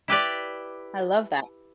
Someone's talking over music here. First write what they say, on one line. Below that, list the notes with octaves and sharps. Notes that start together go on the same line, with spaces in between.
I love that.
E4 G4 B4 D5